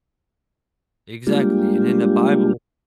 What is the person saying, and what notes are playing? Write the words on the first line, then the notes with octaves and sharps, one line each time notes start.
Exactly, and in the bible
G3 G#3 A#3 D4 F4 G4